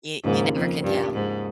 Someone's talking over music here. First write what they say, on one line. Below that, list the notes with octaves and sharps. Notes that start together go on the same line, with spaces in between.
you you never can tell.
D#2 G#2 C#3 F3 A#3
F2
G2
G#2